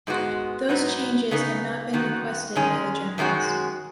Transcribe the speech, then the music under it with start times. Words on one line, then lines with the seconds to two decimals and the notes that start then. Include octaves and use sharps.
Those changes had not been requested by the Germans.
0.07 G#2 G#3 B3 F#4
0.69 G#2 F#3 B3 D#4
1.31 C#3 B3 D#4
1.93 F#2 D#3 B3 F#4
2.55 F#2 D#3 G#3 C#4 G#4
3.18 F#2 D#3 G#3 C#4 F#4